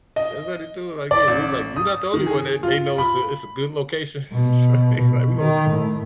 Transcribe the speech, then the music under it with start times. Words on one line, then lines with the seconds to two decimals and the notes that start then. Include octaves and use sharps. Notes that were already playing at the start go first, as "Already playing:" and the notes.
That's how they do it, like, yeah, you like, "You not the only one that they know" it's a it's a good location. So they like "we gonna,
0.16 D#5
1.11 D5
1.28 A1
1.76 D#6
2.14 D#3
2.26 G#4
2.63 F4
2.98 B5
4.32 B2
4.95 B2
5.37 D#3
5.70 A2